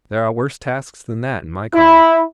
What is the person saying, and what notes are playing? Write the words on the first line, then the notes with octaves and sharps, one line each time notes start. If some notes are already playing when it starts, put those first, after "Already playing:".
There are worse tasks than that, in my calling.'
E4